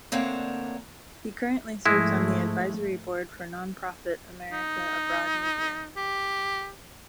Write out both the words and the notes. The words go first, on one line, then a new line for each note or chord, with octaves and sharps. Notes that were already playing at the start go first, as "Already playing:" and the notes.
He currently serves on the advisory board for nonprofit America Abroad Media.
D2 A#3 C4 D4 C#5 F#5
G#2 F3 G#3 A3 E4
D#4
G4